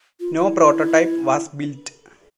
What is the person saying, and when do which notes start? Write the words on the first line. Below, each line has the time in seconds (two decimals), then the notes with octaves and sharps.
No prototype was built.
0.20 F4
0.37 E4